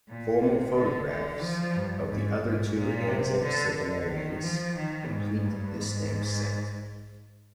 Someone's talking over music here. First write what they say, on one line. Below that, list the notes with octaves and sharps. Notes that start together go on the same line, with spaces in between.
Formal photographs of the other two Anzac centenarians complete this stamp set.
A#2
C3
D3
D3
F3
G2
G#2
G#2
A#2
C3
D3
D3
D#3
F3
D#3
G#2
G2
G#2